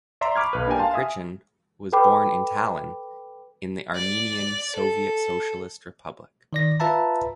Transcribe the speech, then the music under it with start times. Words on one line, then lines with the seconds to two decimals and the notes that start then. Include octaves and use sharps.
Mkrtchyan was born in Talin in the Armenian Soviet Socialist Republic.
0.21 D5 E5 A#5 C6
0.35 B5 C#6 D6 F6 G#6
0.53 B1 B4
0.67 A#3 D4 G4 A#4 G5 G#5
0.79 F5 A5 C6
0.94 E5 G#5 D#6
1.93 A4 B4 G5 B5 D6
3.95 D5
4.75 A4
6.53 D#3 D5 A#6
6.80 F4 B4 E5 A5 A#5